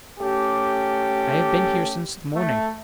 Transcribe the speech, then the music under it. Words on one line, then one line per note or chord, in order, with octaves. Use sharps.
I have been here since the morning.
A3 C#4 G4
A3